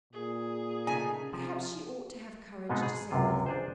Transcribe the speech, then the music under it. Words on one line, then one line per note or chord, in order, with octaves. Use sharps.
Perhaps she ought to have courage to say nothing.
A#2 G#4
C#3 A3 D#4 G#5
C3 F3
G#2 B2 G#3 B3 C4 D#4
G#4
C#2 F#2 C3 F4
D4 G#4 C5